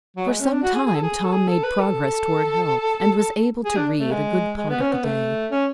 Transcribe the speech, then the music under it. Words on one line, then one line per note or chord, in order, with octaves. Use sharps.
For some time Tom made progress toward health, and was able to read a good part of the day.
F#3
G#3
C#4
D4
F#4
G#4
G#4
A4
G#4
A4
G#4
A4
B4
A4
G#4
D4
A3
G#3
G#3
B3
C#4
B3
A3
C#4